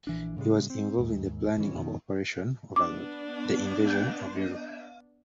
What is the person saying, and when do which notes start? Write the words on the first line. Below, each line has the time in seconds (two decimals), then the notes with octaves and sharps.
He was involved in the planning of "Operation Overlord", the invasion of Europe.
0.07 A#1 E3 D4
0.37 A2 C#3 G3 G#3
0.70 C4
0.98 D#2 G#2
1.58 G#2 D#3 E3 C#4
1.74 F2 B2 D#3
2.76 B3 D4 D6